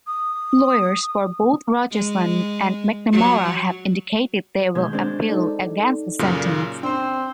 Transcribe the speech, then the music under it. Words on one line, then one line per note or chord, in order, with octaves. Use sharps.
Lawyers for both Rogerson and McNamara have indicated they will appeal against the sentence.
D#6
G#3
F#3
B2 D#3 G#3 G6 G#6
G#3 C4 D4
D#4 A4 D5
F#2 A#2 C#3
C4 D4 G5 C6